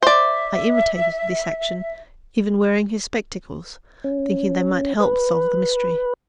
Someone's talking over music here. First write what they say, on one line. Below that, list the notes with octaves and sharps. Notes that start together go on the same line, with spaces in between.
I imitated this action, even wearing his spectacles, thinking they might help solve the mystery.
C5 D5 E5
C#4
B4